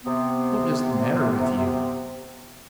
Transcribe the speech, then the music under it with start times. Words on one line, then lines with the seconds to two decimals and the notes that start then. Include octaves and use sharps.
"What is the matter with you?"
0.04 C3 B3